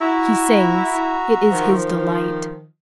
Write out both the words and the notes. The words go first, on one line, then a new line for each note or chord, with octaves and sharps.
He sings; it is his delight.
E4 F#4 E5 A#5
D#3 F3